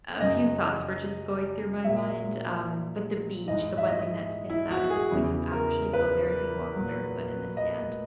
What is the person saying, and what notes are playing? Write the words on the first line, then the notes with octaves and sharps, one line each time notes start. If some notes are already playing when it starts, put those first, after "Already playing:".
a few thoughts were just going through my mind. Um, but the beach, the one thing that stands out is when you actually go there, and you walk barefoot in the sand,
F#2 C#3 F#3 D#5
A#2 F#3 E5
G#2 E3 D#5
E5
D#5
E4
F#4
G#4
E2 C#3 E3
A#4
B4
A#2 F#3
D#5